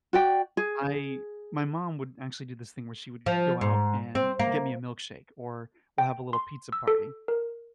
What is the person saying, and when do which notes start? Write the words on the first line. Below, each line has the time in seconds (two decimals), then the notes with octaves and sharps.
I my mom would actually do this thing where she would go out and get me a milkshake, or we'll have a little pizza party.
0.13 F#4 D5 G5
0.57 G#4
3.26 F3
3.61 G#2
4.15 C4
4.39 A#3
5.98 G5
6.33 C6
6.72 E6
6.87 A4
7.28 A#4